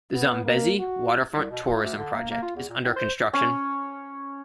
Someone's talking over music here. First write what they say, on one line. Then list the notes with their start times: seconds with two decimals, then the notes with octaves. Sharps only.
The "Zambezi Waterfront Tourism" project is under construction.
0.14 B3
0.45 A#3
0.79 F#4
1.35 C2
1.50 B2
1.67 F4
1.82 D2
1.97 D3
2.13 A#3
2.31 A#3
2.42 F4
2.56 E2
2.69 A#2
2.83 A2
2.96 C5
3.34 C#4